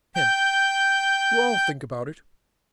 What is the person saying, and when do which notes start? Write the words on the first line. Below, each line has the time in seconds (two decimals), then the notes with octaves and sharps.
HIM: I'll think about it.
0.16 G5 G6